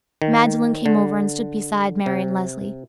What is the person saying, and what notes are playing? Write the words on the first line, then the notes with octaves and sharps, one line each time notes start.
Magdalen came over and stood beside Marian Lesley.
D#3
D3
C3